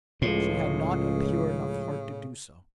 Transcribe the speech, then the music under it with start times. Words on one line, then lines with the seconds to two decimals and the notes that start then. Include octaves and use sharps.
She had not a pure enough heart to do so.
0.22 C#2 A2 C#3 F3 G#3